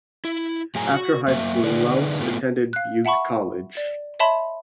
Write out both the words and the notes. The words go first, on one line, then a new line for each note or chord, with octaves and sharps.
After high school, Lohse attended Butte College.
E4
A2 F#3 G#4 G#5 A#5
F#4
F#2 A#3 E5
D3 D#4 G#4 B4 D5
A2 A3 B3 F4
F5 F#6
E5 F#5 A5 B5 C#6
D5
C#5 D#5 E5 A5 B5 C6